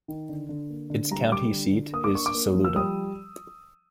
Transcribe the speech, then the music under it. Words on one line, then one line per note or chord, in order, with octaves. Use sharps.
Its county seat is Saluda.
D#3
D3
D3
A#3
D3
G3 A#5
G3 D6
D3
D3
A#3 D#6
D6
D4 C#6
D6
A#3
F3
E6
G3 D#6